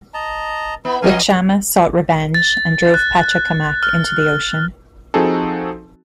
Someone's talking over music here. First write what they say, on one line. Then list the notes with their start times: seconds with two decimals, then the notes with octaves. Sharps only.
Wichama sought revenge and drove Pacha Kamaq into the ocean.
0.14 D#5 A5 A#5
0.85 B3 E4
1.02 F#2 F3 A#4 D#5 F5 G#5
2.34 A6
2.94 F#6
3.83 F6
5.14 F3 C4 D#4 F#4 G#4 A4